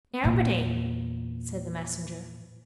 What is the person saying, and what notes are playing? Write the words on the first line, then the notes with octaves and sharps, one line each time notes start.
'Nobody,' said the Messenger.
E2 A#2